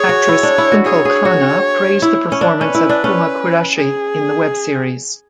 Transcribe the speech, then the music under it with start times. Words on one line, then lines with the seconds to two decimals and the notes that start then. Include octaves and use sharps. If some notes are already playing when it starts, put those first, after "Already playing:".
Actress Twinkle Khanna praised the performance of Huma Qureshi in the web series.
Already playing: G#4 C#5
0.09 F#4
0.28 E4
0.43 D4
0.58 E4
0.72 F#4
0.86 G#4 C#5
1.05 G#4
1.25 F#4
2.02 E4
2.32 C#4
2.41 D4
2.60 C#4 B4
2.75 E4
2.89 D4
3.04 C#4
3.76 G#4